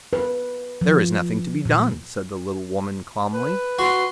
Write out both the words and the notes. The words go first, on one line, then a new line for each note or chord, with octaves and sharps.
"There is nothing to be done," said the little woman calmly.
B4
F3
A#2
B4
F#4 C6